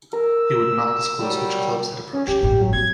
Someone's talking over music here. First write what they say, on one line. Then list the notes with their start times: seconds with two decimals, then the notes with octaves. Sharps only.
He would not disclose which clubs had approached him.
0.13 A#4 E6
1.18 F#3 G3
2.13 C#4
2.28 E4 G4
2.42 A1 G2
2.62 F#3
2.73 C4 G#6